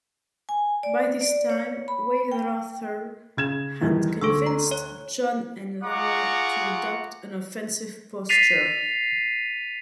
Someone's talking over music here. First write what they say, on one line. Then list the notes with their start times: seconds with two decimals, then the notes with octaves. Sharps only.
By this time, Weyrother had convinced John and Lauer to adopt an offensive posture.
0.49 G#5
0.83 D5
1.21 D5
1.50 C#5
1.88 B5
2.32 G5
3.37 C#3 G#6 E7
3.82 E2 D#3 G3
4.21 D2 A4 C#6 E6
4.46 A#5
4.71 C#5
5.83 F4 G#4 F#5 A#5 C#6 D6
8.29 A6 B6 C7 D#7 F7